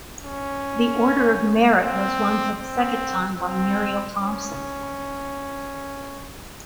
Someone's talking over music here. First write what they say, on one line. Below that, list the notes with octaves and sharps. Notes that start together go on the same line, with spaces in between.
The Order of Merit was won for the second time by Muriel Thomson.
C#4
C4
C4
C4
C#4